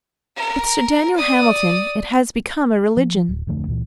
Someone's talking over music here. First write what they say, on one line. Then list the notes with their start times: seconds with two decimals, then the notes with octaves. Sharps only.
With Sir Daniel Hamilton it has become a religion.
0.36 A#4
1.16 D5 D#6
2.97 F3
3.29 D1
3.47 D1 F2 D3 A3
3.67 C#2 A#2 E3